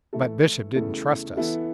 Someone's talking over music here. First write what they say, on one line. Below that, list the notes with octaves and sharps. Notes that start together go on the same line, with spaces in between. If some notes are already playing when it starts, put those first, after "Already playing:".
But Bishop didn't trust us.
E3 A3 E4 A4
E2 C#3 A3 E4 A4
E3 B3 E4 A4